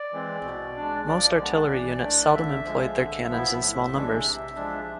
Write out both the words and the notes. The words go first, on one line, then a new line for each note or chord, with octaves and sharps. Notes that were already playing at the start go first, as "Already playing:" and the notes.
Most artillery units seldom employed their cannons in small numbers.
Already playing: D5
E3 G#3 C4
B2
G#3 D4
F3 D5
G#3 B3 D4
E3
A3 D4
D3 E5
F3 G#3
D3
F3 B3 E4
A2 E5
E3 G#3 D4
C3
F3 G#3 D4